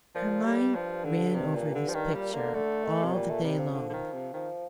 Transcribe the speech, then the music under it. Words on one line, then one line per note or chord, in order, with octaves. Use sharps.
Her mind ran over this picture all the day long.
A#2 F3
A#2
A2 G3
G2
F3
D3
C3
A#2
D3
F3
G2 D#3
A#2 G3
D3 A#3
D3 A3
D#3
C3
A#2 G3
A3
C3 G3
F3
D3
D3
D#3
C3
D#3 F3